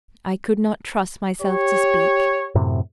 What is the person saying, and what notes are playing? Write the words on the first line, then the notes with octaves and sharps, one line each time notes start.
I could not trust myself to speak.
G4 C#5
F#2 A2 C3